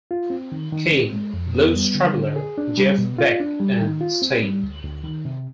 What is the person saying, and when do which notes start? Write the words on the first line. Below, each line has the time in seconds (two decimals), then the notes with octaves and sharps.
King, Blues Traveler, Jeff Beck and Sting.
0.11 F4
0.30 C4
0.52 D#3
0.72 D#3
0.93 C4
1.12 G#3
1.34 F2
1.55 B3
1.75 G3
1.95 D3
2.15 D3
2.36 G#4
2.58 D4
2.78 G3
2.98 B2
3.18 F4
3.40 D4
3.60 G3
3.81 D#3
4.01 F4
4.22 C4
4.43 G3
4.63 D2
4.84 D2
5.04 D#3
5.25 C3